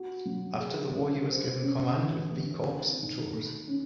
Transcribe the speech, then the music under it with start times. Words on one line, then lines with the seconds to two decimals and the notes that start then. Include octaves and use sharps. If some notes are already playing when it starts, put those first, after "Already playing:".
After the war he was given command of V Corps in Tours.
Already playing: F#4
0.25 F#3
0.60 G#4
0.94 C#4
1.27 C5
1.62 C#4
1.96 E3
2.31 A3
2.64 C4
2.99 D#3
3.33 A3
3.67 C#4